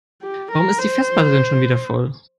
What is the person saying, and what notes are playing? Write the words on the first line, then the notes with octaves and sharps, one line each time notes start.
Warum ist die Festplatte denn schon wieder voll?
G4
A#4
C5